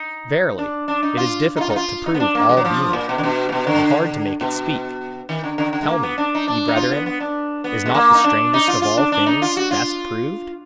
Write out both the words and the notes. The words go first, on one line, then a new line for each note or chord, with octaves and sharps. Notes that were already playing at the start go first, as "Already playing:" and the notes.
Verily, it is difficult to prove all being, and hard to make it speak. Tell me, ye brethren, is not the strangest of all things best proved?
Already playing: D#4
D4
D4
D#4
F4
D#4
F4
D#4
F4
D#4
B3
D4
A#3
G#3
F#3
F3
A#2
B2
D3
B2
A#2
B2
D3
B2
D#3
D3
D3
D3
G#3
A#3
B3
D4
D#4
D4
D#4
F4
B3
B3
D4
B3
G#3
A#3
D#4
D4
D#4
F4
F4
D4
D4
D#4
F4
F#4
F4